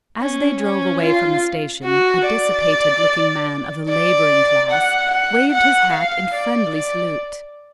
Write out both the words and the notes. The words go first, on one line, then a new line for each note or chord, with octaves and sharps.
As they drove away from the station a dissipated-looking man of the labouring class waved his hat in friendly salute.
C#4
C#4
F4
F#4
D5
D5
F#5
F#5
F#5
F5
D5
D5